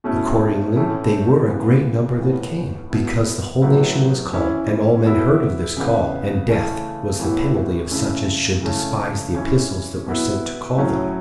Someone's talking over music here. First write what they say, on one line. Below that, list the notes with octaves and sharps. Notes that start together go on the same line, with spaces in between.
Accordingly, they were a great number that came, because the whole nation was called, and all men heard of this call, and death was the penalty of such as should despise the epistles that were sent to call them.
B2 A3 C#4 E4
A2 E3 A3 C#4 E4
C#3 E3 B3
A2 E3 B3
B2 B3 E4
A2 F#3 B3 E4
E3 C#4 E4
B2 B3 E4
C#3 E3 B3
C#3 E3 A3 C#4
A2 E3 B3 E4
C#3 A3 C#4 E4
C#3 E3 A3 C#4
E3 C#4 E4
B2 B3 E4
A2 F#3 C#4 E4